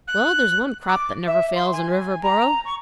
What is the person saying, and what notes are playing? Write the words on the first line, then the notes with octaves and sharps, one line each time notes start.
"Well, there's one crop that never fails in Riverboro!"
F#6
D6
E5
C6
G#5
A#5
C#6